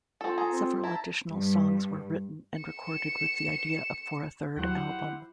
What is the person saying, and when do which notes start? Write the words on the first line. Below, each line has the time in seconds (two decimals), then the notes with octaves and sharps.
Several additional songs were written and recorded with the idea for a third album.
0.21 C4 F4 A4
0.38 G#4 A4 A#5
0.52 C4
0.84 E4 A5 A#5
1.28 G2
2.60 C#7 E7
4.57 D#2 F#3 E4 G4 C5 F#5